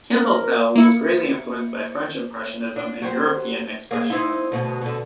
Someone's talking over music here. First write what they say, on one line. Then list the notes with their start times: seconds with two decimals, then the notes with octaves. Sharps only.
Campbell’s style was greatly influenced by French Impressionism and European Expressionism.
0.14 A#4
0.75 A#3 E4 C#7
2.76 D4
3.02 F#3 G4 C5
3.91 A#3 G#4
4.10 C4 D#4 E4
4.52 D2 B2
4.82 B2 D3